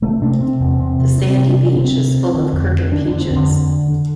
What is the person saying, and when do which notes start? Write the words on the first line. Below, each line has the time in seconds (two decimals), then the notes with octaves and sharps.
The sandy beach is full of crooked peaches.
0.02 C3 A3
0.21 C3 D4
0.31 C4
0.41 C3
0.60 E2
0.79 C3
0.99 C3
1.18 D2 C4
1.37 C3
1.47 D4
1.56 D2
1.76 C3 C4
1.95 D2
2.15 D2
2.34 D3
2.53 F2
2.72 D3
2.91 D3 D4
3.06 D3 D4
3.21 C4
3.30 F2 D3
3.50 D2
3.69 D2
3.88 D3